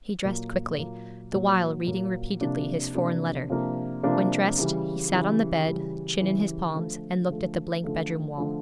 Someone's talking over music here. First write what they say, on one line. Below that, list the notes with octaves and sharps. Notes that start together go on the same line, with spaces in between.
He dressed quickly, the while reading repeatedly his foreign letter. When dressed, he sat on the bed, chin in his palms, and looked at the blank bedroom wall.
A#2 F#3 A#3
A#2 F#3 A#3
A#2 F#3 A#3
A#2 F#3 A#3
C3 F3 A#3 D4
C3 F3 A#3 D4
C3 F3 A#3 D4
C3 F3 A#3 D4
C#3 E3 G3
C#3 E3 G3
C#3 E3 G3
C#3 E3 G3
D3 F3 A3
D3 F3 A3
D3 F3 A3
D3 F3 A3